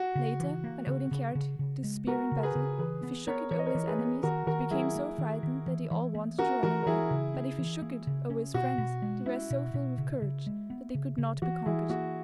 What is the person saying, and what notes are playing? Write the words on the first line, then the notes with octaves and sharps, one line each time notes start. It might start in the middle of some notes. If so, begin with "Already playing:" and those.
Later, when Odin carried this spear in battle, if he shook it over his enemies they became so frightened that they all wanted to run away, but if he shook it over his friends they were so filled with courage that they could not be conquered.
Already playing: F#4
C#3
E3
A#3
C#3
C#3
C#3
C#3
G#3
B3 F#4 A#4
C#3
A#4
G#4 B4
C#3
E3 G#4 B4
B3
B3 A#4 C#5
E3 C#5
D#5
A#4 C#5
E3
G#4 B4
B3
D#3 F#4 A#4
D#3 F#4 A#4
F#3 E4 G#4
A#3
D#3
D#3
E3
E3
A#3
C#4 F#4 A#4
E3 F#4 A#4
A#4
E3 E4 G#4
C#3
C#4
E3
A#3
C#3
C#4
B2 F#4
B2
G#3
C#4 E4
B2
B2
C#3
C#3
G#3
B3
C#3
C#3
E3 F#4
E3 E4 G#4
A#3 F#4